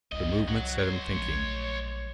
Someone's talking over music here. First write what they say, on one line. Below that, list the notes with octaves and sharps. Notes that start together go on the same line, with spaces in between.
The movement set him thinking.
C2 G2 D#5
F#3
C#5 C6
A#1 F#3 A3